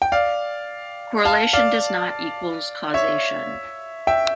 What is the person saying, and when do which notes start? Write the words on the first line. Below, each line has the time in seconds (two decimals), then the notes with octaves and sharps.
Correlation does not equals causation.
0.02 G5
0.12 D5 F5
1.25 F5 A5
1.53 D5 F5
2.94 C#5 E5
4.07 E5 G5